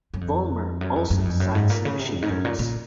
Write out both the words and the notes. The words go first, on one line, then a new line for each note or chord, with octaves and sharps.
Vollmer also designed some machine guns.
F#2
F2
F#2
F2
F#2
F2
F#2
G#2
A#2
C#3
C3
F2
G#2
F#2
A#2
A#2